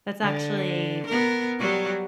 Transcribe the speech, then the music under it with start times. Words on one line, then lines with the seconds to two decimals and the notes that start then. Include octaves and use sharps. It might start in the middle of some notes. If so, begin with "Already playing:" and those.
that's actually
0.22 D3
1.07 B3 A#4
1.59 F#3 G3 F#4